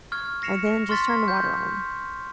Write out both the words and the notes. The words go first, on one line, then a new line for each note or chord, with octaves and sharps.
And then, just turn the water on
C#6 F6 G#6
A#6 C7 C#7 E7 F7
C6 C#6 F6 A6 B6
G6